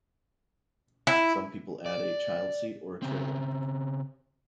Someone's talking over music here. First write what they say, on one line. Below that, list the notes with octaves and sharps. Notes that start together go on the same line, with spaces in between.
Some people add a child seat or a trailer.
E4
D5
C#3 C4